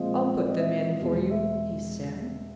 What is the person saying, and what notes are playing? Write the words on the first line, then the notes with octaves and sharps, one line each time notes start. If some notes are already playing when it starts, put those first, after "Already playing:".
"I'll put them in for you," he said.
Already playing: A#2 F3 G#3 C4 D#5
D5
D#5
E5
E2 B2 G#3
E5